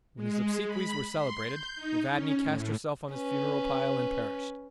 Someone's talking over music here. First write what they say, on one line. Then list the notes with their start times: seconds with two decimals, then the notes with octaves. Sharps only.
When his obsequies were celebrated, Evadne cast herself on his funeral pile and perished.
0.16 G#3
0.67 B5
1.13 C6
1.43 G6
1.76 D#4
2.10 C#4
2.43 A2
3.11 C#4 B4